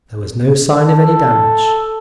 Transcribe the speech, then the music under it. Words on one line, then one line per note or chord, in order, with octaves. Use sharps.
There was no sign of any damage....
A4